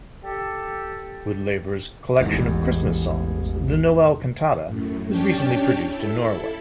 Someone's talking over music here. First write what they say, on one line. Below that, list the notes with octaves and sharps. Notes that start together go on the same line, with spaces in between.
Woolaver's collection of Christmas songs, "The Noel Cantata," was recently produced in Norway.
G4 A4
A1 E2 G#2
F#2 A2
C#4 D4 G4 C#5 G5 A5
E4 A4